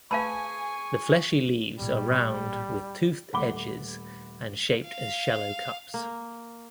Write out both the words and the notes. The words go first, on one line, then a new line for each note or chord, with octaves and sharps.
The fleshy leaves are round with toothed edges and shaped as shallow cups.
A3 G#4 B4 F5 G#5 A5 B5 C#6
A1 A#2 G3
D#1 A3 F#5 B5 D6 G7
F5
A#3